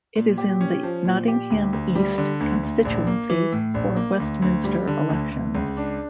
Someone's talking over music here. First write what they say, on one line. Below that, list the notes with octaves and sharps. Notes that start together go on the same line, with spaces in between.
It is in the Nottingham East constituency for Westminster elections.
A#2
G4
C#4
F3
A#2
G4
D2
D2
G3
D3
D2
D2
A#1
A#3
E3
A2
A#1
A#3
D2
D2
G3
D3
D2
D2
C#2
D4